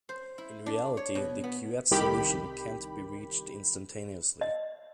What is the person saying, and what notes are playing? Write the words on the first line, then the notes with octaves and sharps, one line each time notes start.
In reality, the Couette solution can't be reached instantaneously.
C5
E4
D4
C#5
B2
B3
C2 D#3 G4 B5
D#5